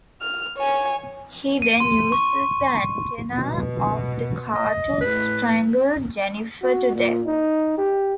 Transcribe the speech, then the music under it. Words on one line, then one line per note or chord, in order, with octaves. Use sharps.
He then uses the antenna of the car to strangle Jennifer to death.
F6
C#5 G#5
D#7
C6
C#6
B2
D#5
A2 B4
F#4
A#2
D#4
G4